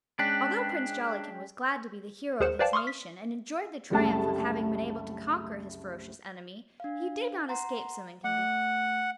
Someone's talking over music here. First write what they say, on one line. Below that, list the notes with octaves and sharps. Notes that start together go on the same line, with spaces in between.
Although Prince Jollikin was glad to be the hero of his nation, and enjoyed the triumph of having been able to conquer his ferocious enemy, he did not escape some inconvenience.
G#3 C#4 D4 G5 F#6 B6
D#2 G#4 A#4 C5 C#7 E7
B4 C5 D5 F5 G5 A5
C6 C#6 D#6 F6
B6
F#1 C2 G3 A3 G#4 A5
D4 F5
F#5 A#5 C6
A3 F#5